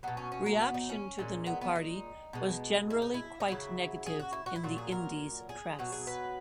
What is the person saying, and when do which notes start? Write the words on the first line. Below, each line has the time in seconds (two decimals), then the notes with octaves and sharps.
Reaction to the new party was generally quite negative in the Indies press.
0.03 B2 F#3 B3
0.17 C#4
0.32 C#4
0.46 A#3
0.61 B3
0.74 D#4
0.89 C#4
1.19 A#2 G#3
1.46 B3
1.61 B3
1.75 D#4
2.33 B2 G#3
2.90 E4
3.02 D#4
3.14 E4
3.40 D#4
3.48 C#3 F#3 E4
4.06 G#4
4.19 F#4
4.33 E4
4.46 F#4
4.56 E4
4.63 A#2 F#3 F#4
4.78 G#4
4.92 A#4
5.49 G#4
5.79 B2 F#3 F#4
5.92 G#4
6.07 B4